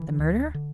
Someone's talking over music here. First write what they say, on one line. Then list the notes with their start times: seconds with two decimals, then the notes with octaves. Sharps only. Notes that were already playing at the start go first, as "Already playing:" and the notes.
"The murder?"
Already playing: D3 E3
0.19 D2
0.54 D3